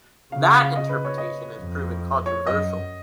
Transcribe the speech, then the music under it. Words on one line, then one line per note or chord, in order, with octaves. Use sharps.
That interpretation has proven controversial.
C#3 F5
F#5
F5
F5
D#5
B4
C#5
D#5
F2
C#5
F#2 D#5